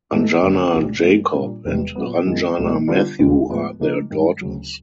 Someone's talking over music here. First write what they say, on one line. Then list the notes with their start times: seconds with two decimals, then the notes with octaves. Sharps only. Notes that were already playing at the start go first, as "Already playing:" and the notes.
Anjana Jacob and Ranjana Mathew are their daughters.
0.11 G#2 E3 A3
0.43 F#1 F#2 D3
0.73 C2 A#2 G3
1.03 G2 E3 A3
1.34 A#2 G3 A#3 D4 F4
1.65 E1 E2 C3 D#3 G3
1.95 A#2 F#3 B3
2.26 F#2 D#3 G#3 C#4 F4
2.58 C#2 B2 F#3 A3
2.87 D3 G3 B3 D4 F4
3.19 E1 D#2 C#3
3.49 A2 F3 G#3 B3
3.80 C#3 F3 A#3 D#4
4.10 G2 D#3 G#3
4.41 D2 C#3 F#3